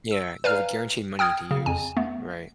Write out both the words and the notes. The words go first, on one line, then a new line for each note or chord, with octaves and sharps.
Yeah. You have a guaranteed money to use. Right?
E6
B4 D5 F5 G#5 A#5 F6
G5 D#6 F6 G#6
C#3
F2 G#5
A3 B3